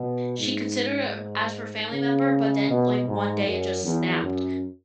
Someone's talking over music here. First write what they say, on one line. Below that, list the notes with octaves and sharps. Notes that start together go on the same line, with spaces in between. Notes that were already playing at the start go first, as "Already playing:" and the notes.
she considered, uh as her family member, but then, like, one day it just snapped
Already playing: B2
G#2
C#3
B2
G#2
F#2
E2
F#2